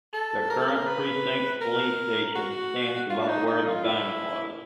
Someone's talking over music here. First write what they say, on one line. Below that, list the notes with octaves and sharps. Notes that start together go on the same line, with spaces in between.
The current precinct police station stands about where the diamond was.
A4
A#4
A4
A#4
B4
A#4
F#4
F4
D4
D#4
D#4
F4
E4